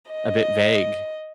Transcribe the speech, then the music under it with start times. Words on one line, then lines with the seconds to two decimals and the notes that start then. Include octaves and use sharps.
a bit vague,
0.12 D#5